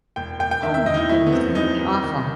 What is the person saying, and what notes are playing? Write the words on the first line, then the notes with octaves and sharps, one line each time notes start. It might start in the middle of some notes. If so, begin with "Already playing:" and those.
Oh my goodness, that had to be awful.
E1 G5
E1 G5
G5
D#3 E5
E5
E1 D#5
D#4
E4
A3 E4
B3
F#2 C4
E3 D#4
F#2
D#3